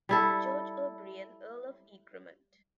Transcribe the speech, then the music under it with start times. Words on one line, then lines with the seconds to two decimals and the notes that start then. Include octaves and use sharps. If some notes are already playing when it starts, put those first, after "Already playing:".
George O'Brien, Earl of Egremont.
0.09 G3 E4 A4